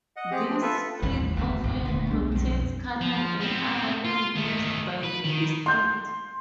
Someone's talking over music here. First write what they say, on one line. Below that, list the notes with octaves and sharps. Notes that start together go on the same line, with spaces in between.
This strip of land contains canals and other land used by the District.
D#5 F#5
C4 G4 G#4
F3 C4
F4 A4 B4 E5
A1 D#2 A2 G3
E1 D2 G2 B2
G#1 C#2
D#1 D2 A#2
B1 G3 B3 D4
B1 F2
F3
B3 C4
F4
D#3 A3
B4
D#3
C6 G6